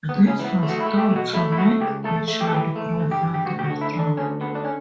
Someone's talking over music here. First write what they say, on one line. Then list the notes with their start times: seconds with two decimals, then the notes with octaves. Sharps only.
This was thought to make the child grow healthy and strong.
0.09 B3
0.15 C#2
0.27 C#4
0.39 E3 B3
0.63 A3
0.69 F#4
0.80 E4
0.86 A3
0.98 G4
1.11 B2
1.16 F#4
1.33 A3 E4
1.52 E4
1.57 A3 F#4
1.81 C#2 G4
2.04 A3 A4
2.28 A3
2.41 G4
2.47 A4
2.52 E3 G4
2.76 A3
3.00 G2
3.11 G4
3.23 G2
3.34 G4
3.46 D2 F#4
3.59 G4
3.64 F#4
3.70 D3
3.81 E4
3.93 D3
3.99 D4
4.17 D2 C#4
4.41 D3 B3
4.55 D4
4.65 C#4